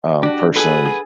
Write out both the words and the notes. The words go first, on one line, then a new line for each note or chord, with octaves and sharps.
um, personally
D4 F#4 G4
G#4 A4 B4 F#5